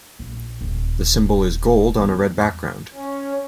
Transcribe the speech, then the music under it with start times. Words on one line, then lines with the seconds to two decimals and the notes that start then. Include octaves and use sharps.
The symbol is gold on a red background.
0.19 A#1
0.61 D#1
1.99 E2 G3
2.93 C#4